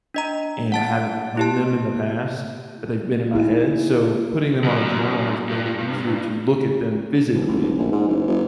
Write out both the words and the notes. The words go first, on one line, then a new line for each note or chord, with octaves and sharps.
and I haven't done them in the past, but they've been in my head. So putting them on a journal has made it easier to look at them physically
D4 D#5 A#5
F#5 A5 A6
E4 G4 A5
D#4 E4 G#4
F#2
G2
D#1
A1
D#1
A#1
G#2
F#1
F#1